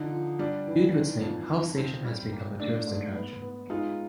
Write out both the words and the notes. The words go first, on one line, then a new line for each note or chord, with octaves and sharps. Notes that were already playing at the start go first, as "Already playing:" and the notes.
Due to its name, Hell Station has become a tourist attraction.
Already playing: D3 F3 D#4
F3
G3 D4
E3
D#3
F2
D#3
C4
G3
A#3
A3 D4
G#2
B3
B3
G#3 D#4 F4